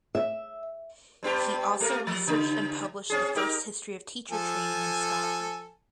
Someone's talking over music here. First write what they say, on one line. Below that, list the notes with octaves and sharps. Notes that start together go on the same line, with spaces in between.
He also researched and published the first history of teacher training in Scotland.
E5
G2 B3 G4
A3 A#3 A#4
F3
C#3 D#4
C4 C#4 G#4
D#4 G4 A#4
F3 A4 G#5